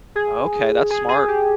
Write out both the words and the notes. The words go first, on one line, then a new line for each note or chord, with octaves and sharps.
Okay, that's smart.
G#4
G#4
G#4
G4